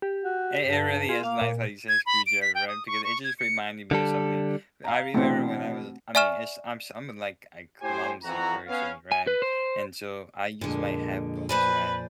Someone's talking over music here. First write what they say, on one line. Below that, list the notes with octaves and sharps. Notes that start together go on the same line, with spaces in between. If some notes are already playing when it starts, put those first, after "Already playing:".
Hey, it really is nice how you say screwdriver, right, because it just reminded me of something. I remember when I was I mean, it's I'm s I'm a like, a clumsy person, right? And so I use my headphones, right?
G4
F#4
G2
F4 G#4
A#3 F5
A#2
G#6
B5
D7
B6
G5
D#6
C#6
C#6
G#6
C#7
D3 G3 A4
F5 A#5
B2 E3 A3 C4 D4
D5 E5 G#5 C#6 F6 E7
A2 G4 C5 G#5
F2 E3 F#4 A#5
B3 C#4 F5
G#5
B4
C5
F2 A#2 D3 G#3
B4 C5 D5 G#5